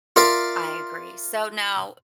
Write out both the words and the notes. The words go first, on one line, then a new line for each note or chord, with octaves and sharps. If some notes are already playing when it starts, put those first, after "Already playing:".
I agree. So now,
F4 A#4 D5 E5 F5